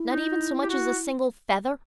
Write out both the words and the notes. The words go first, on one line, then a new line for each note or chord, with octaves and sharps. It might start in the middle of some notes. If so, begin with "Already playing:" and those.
"Not even so much as a single feather?"
Already playing: E4
D#4
E4
G4
F#4